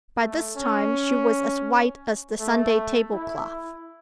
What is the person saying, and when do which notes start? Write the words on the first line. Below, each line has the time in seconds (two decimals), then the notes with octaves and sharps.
By this time she was as white as the Sunday tablecloth.
0.20 A3
0.56 C#4
2.40 A3
3.13 E4